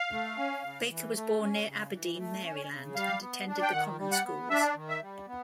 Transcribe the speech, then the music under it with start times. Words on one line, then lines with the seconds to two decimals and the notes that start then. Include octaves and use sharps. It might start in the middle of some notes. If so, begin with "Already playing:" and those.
Baker was born near Aberdeen, Maryland and attended the common schools.
Already playing: F5
0.12 A3
0.38 C#4
0.63 C#3
0.89 E3
1.15 A3
1.41 C#4
1.67 C#3
1.93 E3
2.18 A3
2.44 C#4
2.70 C#3
2.95 G3 F5
3.21 B3
3.47 D4
3.62 G5
3.72 D#3 F#5
3.98 G3
4.12 F#5
4.24 B3
4.50 D4 E5
4.76 D#3
4.89 E5
5.02 G3
5.28 B3